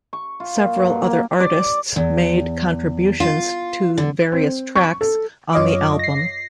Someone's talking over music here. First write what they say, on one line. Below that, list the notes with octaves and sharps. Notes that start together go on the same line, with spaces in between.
Several other artists made contributions to various tracks on the album.
C#6
F4
A#2
G2
F#3
A#3
D5
E2
F4
D3
C4
C#6
A4
F#2 F4 C#5 D#5 F5 D6
A#6 C7